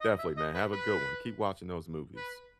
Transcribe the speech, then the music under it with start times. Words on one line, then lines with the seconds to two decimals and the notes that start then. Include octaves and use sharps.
Definitely, man, have a good one. Keep watching those movies.
0.01 D#5
0.19 E5
0.37 D#5
0.54 B4
0.72 B4
2.16 B4